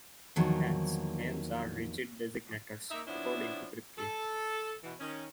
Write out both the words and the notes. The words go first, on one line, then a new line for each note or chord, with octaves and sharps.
Hence, names are ''rigid designators'', according to Kripke.
E2 D3 D#3 F3 F#3 A#3
A#3 D#4 E5
F3 B3 C#4 D4 E4
A4
B2 E3
D#3 C#4